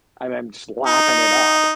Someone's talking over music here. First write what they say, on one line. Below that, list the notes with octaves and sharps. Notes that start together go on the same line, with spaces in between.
I'm I'm just lapping it up.
D#4